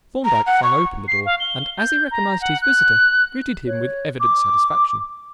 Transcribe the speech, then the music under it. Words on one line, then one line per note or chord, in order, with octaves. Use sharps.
Thorndyke flung open the door, and, as he recognized his visitor, greeted him with evident satisfaction.
A#5
F#5
C#6
C7
F5
G7
G6
A#5
F#5
F#6
C#5
D6